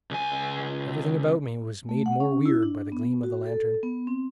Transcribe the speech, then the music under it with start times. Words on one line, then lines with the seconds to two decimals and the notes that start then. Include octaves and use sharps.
Everything about me was made more weird by the gleam of the lantern.
0.11 C#2 G#5
1.89 A3
2.06 F#5
2.20 C#4
2.46 E4
2.63 D4
2.92 B3
3.23 F#4
3.46 A4
3.83 B3
4.07 C4